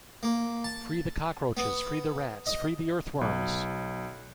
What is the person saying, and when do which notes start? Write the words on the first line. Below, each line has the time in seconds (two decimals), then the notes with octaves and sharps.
Free the cockroaches, free the rats, free the earthworms!
0.23 A#3
0.64 A5
1.57 B3
2.47 D#5
3.21 B1